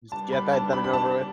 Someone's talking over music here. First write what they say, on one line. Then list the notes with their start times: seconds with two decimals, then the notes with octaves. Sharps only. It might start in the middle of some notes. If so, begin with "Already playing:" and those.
Just get that done and over with.
0.12 G3 B3 D4 A5
0.33 B5
0.53 A5
0.73 B5
0.84 B5
0.93 A5